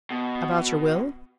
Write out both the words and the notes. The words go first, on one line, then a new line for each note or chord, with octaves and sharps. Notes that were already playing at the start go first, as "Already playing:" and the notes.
"About your will?"
B2